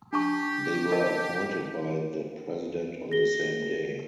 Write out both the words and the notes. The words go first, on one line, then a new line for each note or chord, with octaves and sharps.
They were appointed by the president on the same day.
D4 G4 A5 C#6
A#4 D#5 A5
G#4 A#6 G7